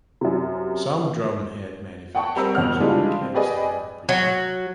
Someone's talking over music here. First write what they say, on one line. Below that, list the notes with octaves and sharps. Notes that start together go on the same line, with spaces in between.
Some drumhead manufacturers make heads that are pre-muffled.
F#2 C3
F#5 G5 A5 C#6
G3 C4 A#4 C5 E6
F#1 F2 B2 C#4 F#5 F6
C#3 E3 G3 G#3 D4 F4
C4
G4 G#4 B4 D5 D#5 G#5
F#3